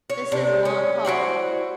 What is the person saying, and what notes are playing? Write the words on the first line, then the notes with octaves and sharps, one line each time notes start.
'This is a long call.
C#5
C3 D4
C#4
E4 F#4 C5 D5